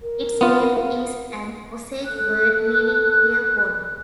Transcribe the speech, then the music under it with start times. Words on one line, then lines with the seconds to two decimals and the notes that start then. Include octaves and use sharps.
Its name is an Osage word meaning clear water.
0.01 A#4
0.41 B3 F4
2.05 A4 F#6